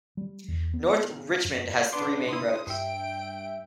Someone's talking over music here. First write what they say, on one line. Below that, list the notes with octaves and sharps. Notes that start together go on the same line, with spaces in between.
North Richmond has three main roads.
G3
E2
B3
F#2
B3 D4 C6 D6
E4 C6 D#6
G2 E5 G5 D7